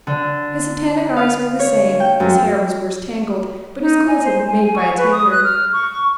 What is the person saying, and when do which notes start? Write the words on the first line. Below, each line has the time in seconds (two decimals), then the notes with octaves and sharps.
His satanic eyes were the same, his hair was worse tangled, but his clothes had been made by a tailor.
0.07 D3
1.17 F5
1.59 C#5
2.00 G5
2.20 F#2
3.81 D#4
4.07 G#5
4.24 C5
4.48 G#5
4.63 G#5
4.76 C#6
4.97 B4
5.12 D#6
5.31 F#6
5.44 F6
5.73 C#6